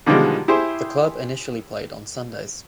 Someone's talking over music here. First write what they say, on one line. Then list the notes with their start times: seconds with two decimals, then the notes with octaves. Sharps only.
The club initially played on Sundays.
0.06 B2 D3 D#3 F3 G3 G#3
0.48 E4 G4 G#4 C5